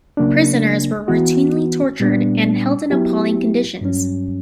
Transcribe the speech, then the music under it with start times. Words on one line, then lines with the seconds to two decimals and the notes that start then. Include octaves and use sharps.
Prisoners were routinely tortured and held in appalling conditions.
0.17 C#3 F#3 A#3 D4
1.08 E3 B3 F#4
2.00 A#2 G3 B3 D4
2.90 F#3 B3 E4 G4
3.81 G2 F#3 C#4